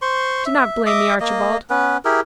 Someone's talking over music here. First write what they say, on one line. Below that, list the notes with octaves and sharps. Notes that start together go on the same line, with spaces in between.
Do not blame me, Archibald.
C5 C6 C#6
E5
D#5 E5 D6 D#6
A#3 D#5
B3 C#4 B4
E4 G4 G#4 A#4